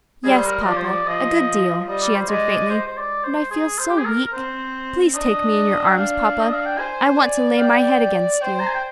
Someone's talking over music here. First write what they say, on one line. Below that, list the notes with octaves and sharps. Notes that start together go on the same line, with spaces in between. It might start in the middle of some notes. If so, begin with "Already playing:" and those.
"Yes, papa, a good deal," she answered faintly; "and I feel so weak. Please take me in your arms, papa, I want to lay my head against you."
G3 G#4
C5
A#4
D#5
F3 D5
C5
D5
F3 D#5
G3 D#5
D5
C5
G#3 D5
C5
C5
D5
C5
G#4
C5
G4
G#4
A#4
A#4
C4 C5
D4 D#5
G5
D4 F5
D#5
F5
G5
C5 G#5
D5
F5
G5
C5 G5
A#5
G#5
G5